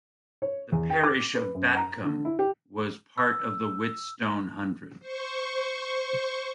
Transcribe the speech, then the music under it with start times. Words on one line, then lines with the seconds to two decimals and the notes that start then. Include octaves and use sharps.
The parish of Batcombe was part of the Whitstone Hundred.
0.42 C#5
0.72 E2
0.90 G5
1.04 D6
1.35 B4
1.54 F#2
1.77 A#5
2.04 D3
2.25 E4
2.39 G4
3.18 E6
5.00 C5 C#6